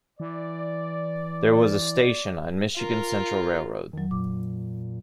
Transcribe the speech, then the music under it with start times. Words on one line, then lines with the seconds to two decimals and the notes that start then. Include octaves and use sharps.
There was a station on Michigan Central Railroad.
0.20 E3 D5
2.75 F4 A#4
3.93 F2 D#3 F#3
4.11 A#2 D6